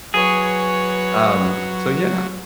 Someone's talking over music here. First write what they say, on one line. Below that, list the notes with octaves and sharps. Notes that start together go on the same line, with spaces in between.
Um so yeah,
F#3 G#4 B4 C#5